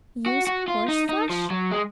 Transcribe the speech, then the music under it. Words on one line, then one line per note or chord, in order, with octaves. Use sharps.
Use horseflesh?
F#4
F#4
F4
D#4
D#4
F3
F#3
G#3